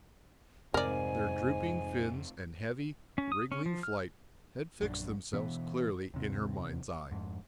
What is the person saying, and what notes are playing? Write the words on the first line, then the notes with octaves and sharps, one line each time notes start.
Their drooping fins and heavy, wriggling flight had fixed themselves clearly in her mind's eye.
F2 G#2 C3 C4 A#4 D5 G#5
C#4
D#6
C#4
F3
F6
A#1 F#2 F3 D4
B2 E3 B3
D#2 C3
F2 G#2